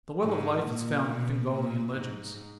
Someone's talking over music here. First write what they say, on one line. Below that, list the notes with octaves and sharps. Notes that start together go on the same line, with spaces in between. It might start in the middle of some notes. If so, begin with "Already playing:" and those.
The Well of Life is found in Fingalian legends.
G#2
A#2
B2
A#2
G#2